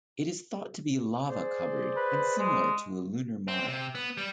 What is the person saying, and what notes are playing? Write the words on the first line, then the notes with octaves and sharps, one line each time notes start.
It is thought to be lava-covered and similar to a lunar mare.
G#4 C5 D5
B4
G#3
C4
C3
B3
G3